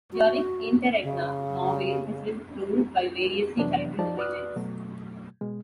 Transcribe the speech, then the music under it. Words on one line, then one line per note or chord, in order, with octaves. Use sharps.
During interregna, Norway has been ruled by variously titled regents.
F#4
C#3
F2 C3 E3 F#3 B3 D4
F3 D#4 D5 A5
F#4 B4 D5 D#6 F6 F#6
B2 F#3 A3
B2 G#3